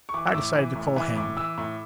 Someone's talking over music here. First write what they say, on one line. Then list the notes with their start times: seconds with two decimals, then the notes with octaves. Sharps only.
I decided to call Hanley.
0.09 C#6
0.14 E3 D6
0.27 E6
0.34 A2 D6
0.55 E3
0.76 A2
0.96 E3
1.16 A2 D6
1.37 E3 E6
1.58 A2